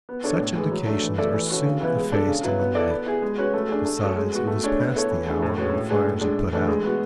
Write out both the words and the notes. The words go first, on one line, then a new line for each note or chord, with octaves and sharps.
Such indications are soon effaced in the night; besides, it was past the hour when fires are put out.
B3
D4 A4 C#5
A2
E3 G#3
F#3
A3 D4
E3
A3 E4 A4 D5
E3
A3 C#4 F#4
C#3
E3 B3 E4 B4
G#3
D4 A4
C#3
F#3 B3 E4 B4
B3
E4 A4 D5
B3
E4 G#4
G#3
C#4 F#4 B4
A3
D4 G#4
A3
C#4 F#4 A4
G#3
B3 F#4
A3
D4 G#4 C#5
B3
E4 A4 C#5
E3
A3 D4 G#4
A2
G#3 C#4 F#4 B4
A2
G#3 D4 G#4 B4
A2
G#3 D4
A2
E3 A3 D4
G#3
B3 F#4